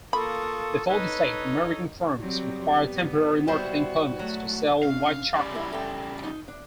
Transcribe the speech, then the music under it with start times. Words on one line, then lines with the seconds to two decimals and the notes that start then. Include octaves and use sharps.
Before this date, American firms required temporary marketing permits to sell white chocolate.
0.13 A#3 F4 A4 B5 C#6 D#6
0.88 D#4 A4 B4 C#5
2.18 F#3 G3 C4
2.82 B3
3.47 G3 E4 F#4 C5
4.19 F#3 A3
4.83 C3 C#4 D4 F5
5.35 C#3 G3 D5
5.51 F#2 E4
5.73 A4 G5
6.24 D#4
6.48 D4